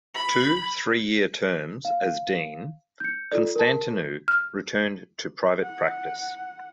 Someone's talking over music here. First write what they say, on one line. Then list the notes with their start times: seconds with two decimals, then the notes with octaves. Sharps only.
After two three-year terms as Dean, Constantinou returned to private practice.
0.15 B5
1.85 F5
3.00 G6 C#7
3.32 F4 A4 D5
3.56 A#4 A5
4.28 F6
5.63 F#5